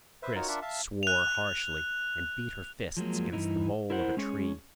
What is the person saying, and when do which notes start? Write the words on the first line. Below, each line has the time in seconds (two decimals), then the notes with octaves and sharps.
Chris swore harshly and beat her fists against the bole of a tree.
0.23 B4 C5 E5
0.35 D#4 F4 F#4 A#4 C#5
0.48 D4 F4 A#4 E5 F#5
0.62 E5 F5 A5
1.03 F#6 F7
2.97 F3 F#3 G#3 A#3
3.32 G2 C#3 E3 D#4 E4
3.90 E4 A#4 C5 F#5
4.17 G#3 C#4 G#4 C#5